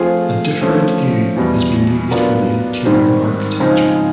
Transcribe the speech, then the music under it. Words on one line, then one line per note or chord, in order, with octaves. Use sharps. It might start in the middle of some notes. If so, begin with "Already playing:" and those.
A different view has been used for the interior architecture.
Already playing: F3 A3 C4 F4 G#4
D3 F3 A3 C#4
E2 B2 G3
F#3 B3 D4 F4 A#4
G#2 D#3 G3 C4
C#3 F3 G#3 C4 D#4